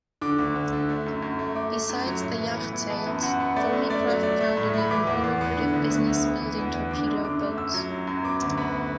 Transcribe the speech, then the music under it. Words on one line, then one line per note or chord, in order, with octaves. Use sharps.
Besides the yacht sales, Thornycroft found an even more lucrative business building torpedo boats.
D3 D6
D2
D2
D3
A3
F#2
F#2
A3
A3 D6
A3
F#2
F#3
A2
E3
B3
E3
B3 A5
F#2
F#2 F#5
B3
A3 D5
F#2
A3 D5
F#3
A3 D5
A3
A2
A3 B5
E3 D6
E2
E2
B3
D3
D2
D2
D2
B3
E3
E2
E2
D3 D6
F#2
D3 D6
A3
F#2 E6
F#3
F#2
F#2
B3 D6
D2
B3 B5